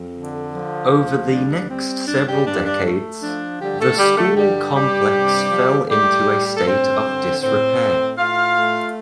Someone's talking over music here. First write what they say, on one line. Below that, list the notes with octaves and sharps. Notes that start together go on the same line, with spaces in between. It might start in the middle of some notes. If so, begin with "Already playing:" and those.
Over the next several decades, the school complex fell into a state of disrepair.
Already playing: F2
D3
F3
D2
G3 D4
G3 C4
G2 D4
G3 G4
G2 D4
D4
A3
F3 D4
D3 G3 G4
A3 A4
D3 G3 G4
A3 A4
G2 G3 G4
G2 G3 G4
C3
F3
A2 G3 G4
A2
G4
A4
G2 C4 C5
D3
A2 C4 C5
A2
A2 F4 F5
A3